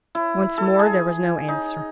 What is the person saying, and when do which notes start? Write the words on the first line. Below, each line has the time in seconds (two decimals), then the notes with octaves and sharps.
Once more there was no answer.
0.15 E4
0.58 A4
0.79 G#4
1.48 D#4